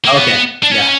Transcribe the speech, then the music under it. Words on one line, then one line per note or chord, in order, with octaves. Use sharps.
Okay, yeah.
A#3
B3
D4
C#4